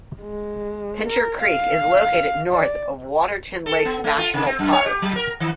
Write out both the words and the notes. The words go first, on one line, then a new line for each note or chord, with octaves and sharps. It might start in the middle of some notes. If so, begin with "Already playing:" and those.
Pincher Creek is located north of Waterton Lakes National Park.
G#3
A#4
F5
D5
A4
B3
A3
F4
C3
C4
F#2
C#5
G4
F#3
A#4
D#3